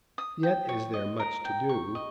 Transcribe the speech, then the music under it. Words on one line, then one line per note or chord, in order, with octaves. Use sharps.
Yet is there much to do.
D#6
G5
C#5
D#5
A#4
G5
C#6
D#5